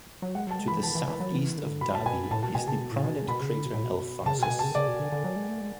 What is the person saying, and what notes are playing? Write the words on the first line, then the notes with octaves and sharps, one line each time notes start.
To the southeast of Davy is the prominent crater Alphonsus.
F#3
G#3 F#5
F#3 A5
G#3
B5
E3
F#3
E3 A5
E3
E3
F#3
E3
D3
B2 B5
A5
B2 G#5
A2 A5
B2 A5
B2 G#5
C#3 A5
B2
A2
B2
C#3
B2 B5
C#3
D3
B2
A2
B2
C#3 A5
B2
G#5
B2
A5
C#3
C#3 D5
B2
D3
D3
F#3
G#3
A3
G#3